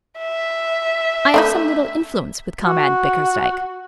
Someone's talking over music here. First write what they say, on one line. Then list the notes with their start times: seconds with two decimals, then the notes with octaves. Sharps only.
I have some little influence with Comrade Bickersdyke.
0.19 E5
1.34 A3 D4 D#4
2.62 F#4